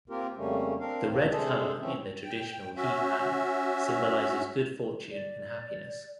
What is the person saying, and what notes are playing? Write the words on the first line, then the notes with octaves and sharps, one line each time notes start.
The red color in the traditional hee pan symbolizes good fortune and happiness.
A#3 C4 F4 G4 A#4
F2 C#3 G3 A3 A#3 C#4
C4 D4 A#4 F5
D2 F3 A#3 C4
C3 G#3 D4 G#4 A4 C5
E3 F3 C4 C#4 E5
G5
C#4 F#4 E5
D5